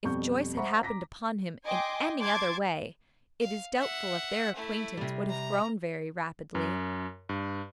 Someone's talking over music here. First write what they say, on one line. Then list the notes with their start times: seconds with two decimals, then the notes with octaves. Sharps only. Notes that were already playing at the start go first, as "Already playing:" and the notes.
If Joyce had happened upon him in any other way, it is doubtful if their acquaintance would have grown very rapidly.
0.04 F2 B2 G3 C#6 G6
0.57 C5 E5 F#5 A#5 B5 C#6
0.83 A#5 D6 A#6 B6
1.66 D#5 G5 G#5 C6 D6
2.22 A5 C6 D6 G#6 A6
3.40 F5
3.76 E5 F#5
4.55 A3 E4
4.97 C3 G3
5.29 A#5
6.55 F#2
7.29 G2